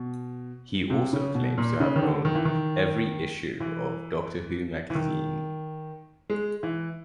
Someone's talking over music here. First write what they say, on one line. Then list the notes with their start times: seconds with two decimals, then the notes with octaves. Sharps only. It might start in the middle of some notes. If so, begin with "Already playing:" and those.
He also claims to have owned every issue of Doctor Who Magazine.
Already playing: B2
0.90 C3
1.13 C#3
1.35 B2
1.58 A#2
1.80 C#3
1.96 D#3
2.02 D3
2.25 D#3
2.35 E3
2.45 D#3
3.60 E3
4.90 E3
4.95 D#3
6.30 G#3
6.63 E3